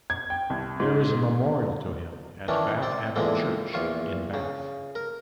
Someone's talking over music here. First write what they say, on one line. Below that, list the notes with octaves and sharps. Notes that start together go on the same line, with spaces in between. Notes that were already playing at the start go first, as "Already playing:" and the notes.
There is a memorial to him at Bath Abbey church in Bath.
G#6
G5
C2
G#2
D#3 E3 C#4 D4
C4 D5
E2 A#2 D3 E3 G#3 C4
A#1 E2 F4 C#6
C#3
A#4